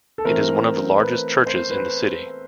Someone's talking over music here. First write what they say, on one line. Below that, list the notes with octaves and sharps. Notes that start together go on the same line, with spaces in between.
It is one of the largest churches in the city.
A4
E3 A3 C4 A#4
B4
C5
B4